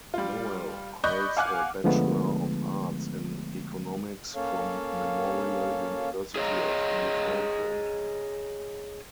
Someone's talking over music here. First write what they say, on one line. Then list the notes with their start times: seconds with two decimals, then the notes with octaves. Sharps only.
Noel holds a Bachelor of Arts in Economics from Memorial University of Newfoundland.
0.14 G3 F4
1.04 D5 D#5 B5 C#6 F#6 G6
1.37 F5 F#5 G#5 D6 F6 F#6
1.84 D3 F3 G#3 A3 B3
4.35 A#3 C#4 A4 C#5 F5
6.36 G#4 C#5 D#5 A#5